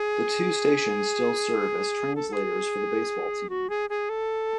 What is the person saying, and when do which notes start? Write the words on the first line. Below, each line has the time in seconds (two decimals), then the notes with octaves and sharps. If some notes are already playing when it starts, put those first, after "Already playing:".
The two stations still serve as translators for the baseball team.
Already playing: G#4
2.15 A4
2.28 A4
2.33 G#4
3.49 F#4
3.70 G#4
3.90 G#4
4.09 A4